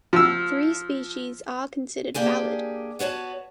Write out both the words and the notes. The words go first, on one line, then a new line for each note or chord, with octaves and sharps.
Three species are considered valid.
F3 E6
A#3 D4 G4 G#4 G#5
B3 F#4 C#5 G#5 A5